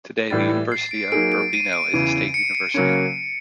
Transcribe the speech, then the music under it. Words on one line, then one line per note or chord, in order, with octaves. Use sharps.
Today, the University of Urbino is a state University.
A2 E3 G3 A6
C7
D7
F#3 A#3 D#4 G#4 D7
D7
D#7
D7
E2 C#3 E3
C#7
C#7
C#3 F#3 A#3 C#4